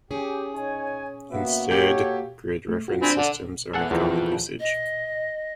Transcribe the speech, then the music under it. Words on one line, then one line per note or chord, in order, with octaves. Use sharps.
Instead grid reference systems are in common usage.
C#4 G4 G#4
D#4 C#5 G#5
A#3 B3 F#4 E5
D#4 G4 A4 C#5
A3
F4 F#4
C4 D4 G#5 B5
D3
B3 G#4 A4 F#5
E2 F3 C4 A4
D#5